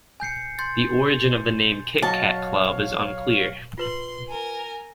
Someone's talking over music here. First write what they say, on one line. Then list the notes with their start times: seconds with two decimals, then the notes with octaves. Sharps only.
The origin of the name "Kit-Cat Club" is unclear.
0.20 G#5 G6 C7 C#7
0.58 C6 G6 A6
2.02 F#3 C#5 D#5 F5 A5 C#6
3.78 F4 B4 C6 F#7
4.28 A#4 G#5